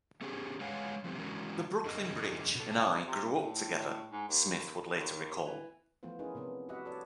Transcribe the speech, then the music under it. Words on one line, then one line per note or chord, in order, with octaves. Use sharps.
"The Brooklyn Bridge and I grew up together," Smith would later recall.
B3 C#4 G4 G#4
G#3 B4 C#5 F5 F#5 G#5
F3 B3 C4 G4
E3 G#3 C#4 E4 F#4 A#4
F#2 D4 G#4 A#4 D#5
B2 A4
C3
A2
G#2
D#2
D#2
E3
E3 F3 A3 B3 F4 C5
C#4 D#4 E4 G#4 A#4 B4
C3 A#3 B3 D4
F#4 G4 B4 D#5 E5 F#5
F#4 A4 B4 C#5 D5